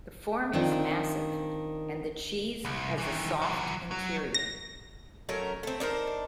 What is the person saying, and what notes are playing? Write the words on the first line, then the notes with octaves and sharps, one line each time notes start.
The form is massive, and the cheese has a soft interior.
D#3 C4 D4 F4
C2
D#3 E3
E3 F#3
F#3
A#6
F#3 A3 C#4 A#4
A3 C4
D4 D#4 A#4 C5